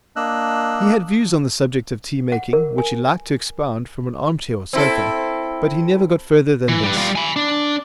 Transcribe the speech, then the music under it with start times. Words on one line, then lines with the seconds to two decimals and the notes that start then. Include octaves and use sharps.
He had views on the subject of tea-making which he liked to expound from an armchair or sofa, but he never got further than this.
0.16 A#3 D4 D#5 E6 F#6
2.32 F#5
2.53 A#4
2.78 G#5
4.73 C4 E4 A4
6.69 E3
6.83 G3 B4
6.97 G3 F4
7.16 G#5 B5
7.36 D4